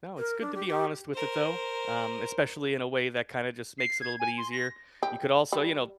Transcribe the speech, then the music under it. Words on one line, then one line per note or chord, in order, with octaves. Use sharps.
No, it's good to be honest with it, though, um, especially in a way that kinda just makes it a little bit easier. You could also, you know
A#4
D4
G4
G4
A#4 C5
C7
G#6
G#5
C6
A#6
G4
G3